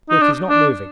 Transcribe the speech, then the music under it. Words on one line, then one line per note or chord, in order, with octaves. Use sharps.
'Look, he's not moving.
D#4
D4
D4